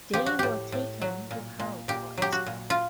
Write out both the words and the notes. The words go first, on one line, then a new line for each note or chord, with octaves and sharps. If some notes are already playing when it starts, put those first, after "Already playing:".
They were taken to Hull for export.
F3 G4
F#4
A2 G4
A2
F#3
A#2
A#2
A#2 G4
F#3 G4
F#4
A#2
F4